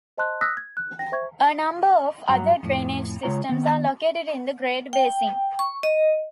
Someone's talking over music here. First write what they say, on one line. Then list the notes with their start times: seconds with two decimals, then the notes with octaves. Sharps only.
A number of other drainage systems are located in the Great Basin.
0.18 C5 D#5 A5 C6 F#6
0.41 D#6 E6 F#6 A#6 B6
0.57 G#6
0.77 F#6
0.99 G5 A#6
1.12 C5 E5 C#6 G#6
2.28 G2 F#3 F#5 A#5
2.63 F2 A2
3.23 C#3 G#3 C4 F4 C#5 A#5
3.49 D#3 B3
4.93 G5
5.59 C#6
5.83 D#5